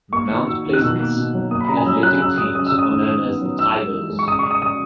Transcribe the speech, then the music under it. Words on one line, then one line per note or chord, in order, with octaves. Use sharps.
Mount Pleasant's athletic teams are known as the "Tigers".
A#3 C#6
D#3
F#4 E6
D#3
F#6
B2 E6
A#3
B2
F#3
A#3 D#6
B5
C#3 A#5
G#5
F#3 E6
F#3 F#6
C#3 E6
C#3 D#6
C#3 D#6
E6
C#3
D#6
D#3
D#3
B3
F#3
D#4 E6
G#3
E3
G#3
C#6
C#3 D#6
C#6
C#3
D#6
C#3 D#6